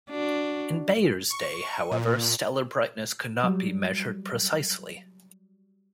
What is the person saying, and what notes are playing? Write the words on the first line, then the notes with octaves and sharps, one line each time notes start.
In Bayer's day, however, stellar brightness could not be measured precisely.
D4 F#4
C#6
A#2
F#3 G3